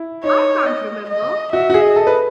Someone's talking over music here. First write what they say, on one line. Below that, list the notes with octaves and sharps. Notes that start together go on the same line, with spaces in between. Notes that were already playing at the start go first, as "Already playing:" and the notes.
I can’t remember.
Already playing: E4
D#4 C#5
D#5
D#5
F#4 E5
F#4
G#4
D#5
A4
B4